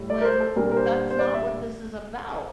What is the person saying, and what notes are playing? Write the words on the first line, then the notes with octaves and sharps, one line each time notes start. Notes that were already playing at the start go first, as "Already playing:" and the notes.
when that's not what this is about?"
Already playing: A2 G3
D5
A#4
C5
A4
A#2 G3 D4 A#4
A#4
C5
C5
D5
E5